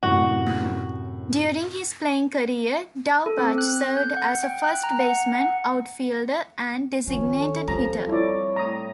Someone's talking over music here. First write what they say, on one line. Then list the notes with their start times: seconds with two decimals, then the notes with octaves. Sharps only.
During his playing career Daubach served as a first baseman, outfielder, and designated hitter.
0.03 F#2 A2 C3 F#4
3.26 A4
3.39 C4
3.58 F#6
3.97 G6
4.17 F#5
4.43 G5
4.64 F#6
4.83 A#5
5.00 F#5
5.35 F#5
7.07 D#3 F3 C#4
7.38 A4
7.68 F3 G3 C4 A#5
8.09 E4 C#5 D5
8.56 A2 A#5 D#6